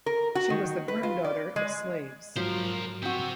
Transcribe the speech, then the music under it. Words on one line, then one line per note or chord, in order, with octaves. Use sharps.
She was the granddaughter of slaves.
A#4
F#4
D#3
B4
F4
D5
G#3
G#2 F3 F#3 A#4 C5
C4 F#4 C5 E5